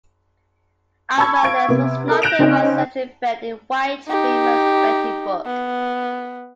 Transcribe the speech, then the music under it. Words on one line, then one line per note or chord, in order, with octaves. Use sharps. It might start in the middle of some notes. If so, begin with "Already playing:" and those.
Alvanley's was not the most eccentric bet in White's famous betting book.
A5 B5 C#6 E6 G#6
F5 C#6 G#6 D7
C3 B3
A4 A#4
F#6 G6 A#6 D7 E7 F7
C#3 C4 C#4 D#4
D#4 G4
B3